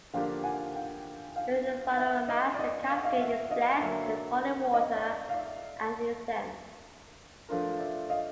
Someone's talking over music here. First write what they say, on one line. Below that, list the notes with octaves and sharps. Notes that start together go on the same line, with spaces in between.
During the Funeral Mass, the casket is blessed with holy water and incense.
D3 F3 A#3 D4 G4 F5 G5
F#5 G#5
F5 G5
F5 G5
G5
E5 F#5
D#5 F5
D5
D#5
F5
F#5
D#5 F5
F5
E5 F#5
D#5 F5
D3 F#3 A#3 D5 E5
D#5 F5
D5
D#5
F5
D5 E5
F3 A3 D4 F4 A#4
D5 E5
D#5 F5